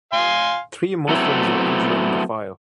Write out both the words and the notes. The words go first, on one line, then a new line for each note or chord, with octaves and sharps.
Three Muslims were injured in the fire.
F5 G#5 C6
F#3 A3 B3 C4 E4